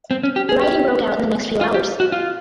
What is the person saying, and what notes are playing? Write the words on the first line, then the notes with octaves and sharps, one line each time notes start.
Rioting broke out in the next few hours.
C4
C#4
G4
G#4
G4
F4
G4
F#4
F4